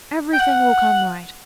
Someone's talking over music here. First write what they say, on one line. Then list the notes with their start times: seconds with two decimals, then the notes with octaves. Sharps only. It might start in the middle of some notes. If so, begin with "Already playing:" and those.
Everything will come right.
0.33 G5
0.40 F#5